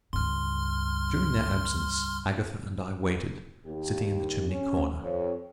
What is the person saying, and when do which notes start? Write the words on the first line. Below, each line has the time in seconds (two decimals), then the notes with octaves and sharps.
During their absence Agatha and I waited, sitting in the chimney corner.
0.13 C#2 G2 C6 F6
3.66 D#2 G4
4.48 C#4
5.01 F2 C#5